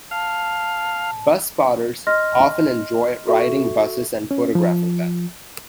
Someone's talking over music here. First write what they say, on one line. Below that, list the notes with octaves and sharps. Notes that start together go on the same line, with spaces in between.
Bus spotters often enjoy riding buses and photographing them.
F5 A5
D#5 C6 F6 A#6
F#4 A4 E5 C#6
C#4
F3